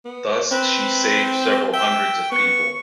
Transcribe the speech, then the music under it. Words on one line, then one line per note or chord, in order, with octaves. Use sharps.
Thus she saved several hundreds of people.
B3
C4 B4
E5 G5
B3 C#6